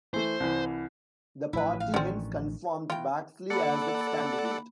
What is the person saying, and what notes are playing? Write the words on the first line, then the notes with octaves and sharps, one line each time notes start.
The party hence confirmed Baxley as its candidate.
E3 A3 C5
C2 E3
A1 A2 F3 E4 B4
F5
D3 D#3 C4 C#4
E3 F4 G5
A#3 A4 D5 F#5 B5